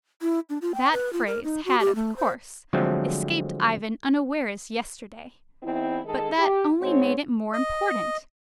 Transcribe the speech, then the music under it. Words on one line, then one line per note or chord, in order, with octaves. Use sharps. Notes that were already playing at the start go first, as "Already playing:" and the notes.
That phrase had, of course, escaped Ivan unawares yesterday, but that only made it more important.
E4
D4
F4
G5
B4
F4
A#4
D#4
F#4
G4
A3
C5
D3 F3 F#3 G#3 A3 C4
E2 C4 D#4 E4
D#3 G#3 G#4 A4
G4
G#2 C4 C#5
D#5